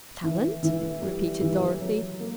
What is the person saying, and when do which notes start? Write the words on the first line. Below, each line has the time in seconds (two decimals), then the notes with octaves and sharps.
"Talent?" repeated Dorothy.
0.23 E3
0.63 E3
1.02 G3
1.41 E3
1.81 F#3
2.20 A#3